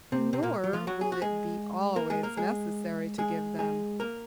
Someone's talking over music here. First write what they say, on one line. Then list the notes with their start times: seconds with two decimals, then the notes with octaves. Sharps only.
Nor will it be always necessary to give them.
0.12 C3 C4
0.33 C3 C4
0.43 A#2 A#3
0.64 F#3
0.73 F3 F4
0.87 F#3 F#4
1.01 G#4
1.12 F#4
1.22 G#3 G#4
1.96 A#3 A#4
2.10 G#3 G#4
2.23 A#3 A#4
2.37 G#3 G#4
3.18 G#3 G#4
3.59 G#3 G#4
4.00 A#3 A#4